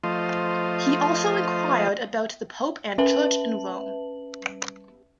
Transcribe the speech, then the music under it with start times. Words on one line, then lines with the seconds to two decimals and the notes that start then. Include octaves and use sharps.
He also inquired about the Pope and Church in Rome.
0.04 F3 A3 F4 C5 D#5
2.98 C#4 B4 E5 A5 F#7